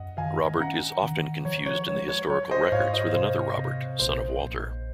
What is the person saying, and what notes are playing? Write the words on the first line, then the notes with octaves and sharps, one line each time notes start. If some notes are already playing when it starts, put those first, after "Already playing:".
Robert is often confused in the historical records with another Robert, son of Walter.
Already playing: F#2 D#5 F#5
D#3 F5 G#5
C#4 F#5 A#5
D#3
F3 C#5
C#5
G#3 C#5
C#5
F#3 C#5
C5 D#5
G#2 C#5 F5
C5 D#5
C3 C5
C3
A#1 C5
A#1